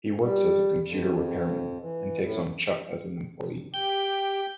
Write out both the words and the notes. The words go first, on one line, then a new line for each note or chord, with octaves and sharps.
He works as a computer repairman and takes on Chuck as an employee.
G3
F2
E3
A2
G4 G5 G7